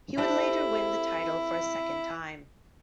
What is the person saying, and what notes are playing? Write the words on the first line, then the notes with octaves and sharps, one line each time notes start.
He would later win the title for a second time.
C4 E4 G4 A4